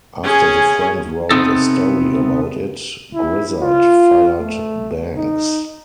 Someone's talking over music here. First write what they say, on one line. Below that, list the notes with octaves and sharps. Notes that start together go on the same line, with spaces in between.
After the friend wrote a story about it, Grizzard fired Banks.
C#4 G#4
C3 A3 B3 C4 D#4 A4
E4
F4
A3
D#4